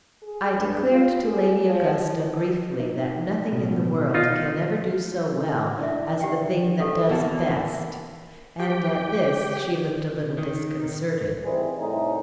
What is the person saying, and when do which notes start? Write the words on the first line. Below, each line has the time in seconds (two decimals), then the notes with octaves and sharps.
I declared to Lady Augusta briefly that nothing in the world can ever do so well as the thing that does best; and at this she looked a little disconcerted.
0.22 G#4
0.57 G2
0.91 F4
1.23 G#4
1.68 F3
2.02 E3
2.80 D#4
3.52 A1 B2
4.14 D#4 F4
5.79 D4 E4 A#4 E5
6.20 G4 F#5 G5
6.80 G4 A4
7.09 E2 E3 A#3 F#4 A5
8.60 G4 G5
10.38 D#3
11.42 D#3 E3 G3 C4 G#4
11.77 C2 A2 D#4